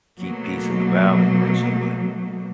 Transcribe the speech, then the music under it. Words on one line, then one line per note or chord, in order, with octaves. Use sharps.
keep peace in the valley person, but
B2 F#3 A3 A#3